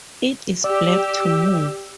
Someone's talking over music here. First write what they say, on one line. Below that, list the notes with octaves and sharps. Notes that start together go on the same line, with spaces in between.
It is Black to move.
G4 D5 E6